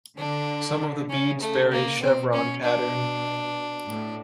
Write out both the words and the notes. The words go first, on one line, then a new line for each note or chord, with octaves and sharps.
Some of the beads bear a chevron pattern.
D3 D4
C#3 C#4
A3
A#3
B2 C4
C#4
D4
A2